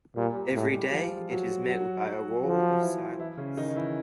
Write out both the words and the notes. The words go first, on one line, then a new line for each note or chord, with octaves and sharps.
Every day it is met by a wall of silence.
A#2 G3 G4
G3 G4
A2 G#3 G#4
G3 G4
F3 F4
F#3 F#4
F#3 F#4
F#3 F#4
F3 F#3 F#4
E3 E4
E3 E4
C#3 C#4
D#3 D#4
E3 E4